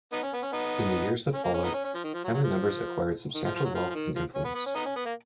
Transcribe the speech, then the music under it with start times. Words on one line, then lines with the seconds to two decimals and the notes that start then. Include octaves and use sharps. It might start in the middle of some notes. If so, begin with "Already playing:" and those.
In the years that followed, family members acquired substantial wealth and influence.
0.13 B3 D#4
0.23 C#4
0.33 B3
0.43 C#4
0.53 B3 D#4
1.34 C#4
1.44 A#3
1.54 C#4
1.63 B3 D#4
1.74 C#4
1.84 C#4
1.95 F3
2.04 D#3
2.14 F3
2.24 F#3
2.34 F#3
2.44 F3
3.35 D#3
3.44 F3
3.55 F3
3.65 F#3
3.75 F3
3.90 F3
3.94 D#3
4.16 F3
4.35 C#4
4.45 B3
4.55 B3
4.66 C#4
4.75 B3 D#4
4.86 C#4
4.96 B3
5.05 A#3